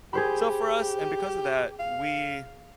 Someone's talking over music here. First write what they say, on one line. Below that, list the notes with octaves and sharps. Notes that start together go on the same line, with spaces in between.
So for us, and because of that, we
G4 G#4 C5 B5
F5